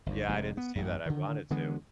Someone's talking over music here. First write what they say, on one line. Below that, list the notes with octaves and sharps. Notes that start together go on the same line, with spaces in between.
Yeah. I didn't see that, I wanted to.
G1 D2
F1 C3 G#3
B3
A1 F#2
D3 D#3
D3 E3 G#3 B3